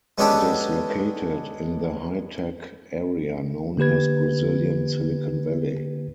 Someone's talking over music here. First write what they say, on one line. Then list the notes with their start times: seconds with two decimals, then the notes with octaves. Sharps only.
It is located in the high tech area known as Brazilian Silicon Valley.
0.18 G#3 B3 C#4 D4 G4 A4
3.77 D3 A#3 G4 B4 G#6